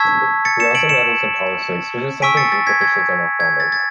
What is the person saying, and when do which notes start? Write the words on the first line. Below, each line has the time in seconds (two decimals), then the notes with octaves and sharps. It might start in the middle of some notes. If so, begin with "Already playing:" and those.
He also meddles in politics, which is something Greek officials are not fond of.
Already playing: A5 C#6 E6 G#6 B6
0.45 A6 C#7
0.60 C#7 E7
0.75 D7 F#7
0.89 C#7 E7
2.22 G#5 C#6 E6 B6 D7
2.37 A6 C#7
2.52 A6
2.67 G#6 B6
2.81 G#6
3.40 G#6
3.60 A6
3.72 A6